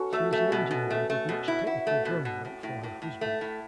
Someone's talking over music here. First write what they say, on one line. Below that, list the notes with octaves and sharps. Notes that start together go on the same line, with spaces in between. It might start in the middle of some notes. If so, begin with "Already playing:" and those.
She was an engineer and did much technical drawing work for her husband.
Already playing: B3 C#4 F#4 A4
A3 E5
A3
B2
B2
A3
A3
B2
E4
E4 F#5
A3
B2
B2
A2
A2
A2
A2
A3
A2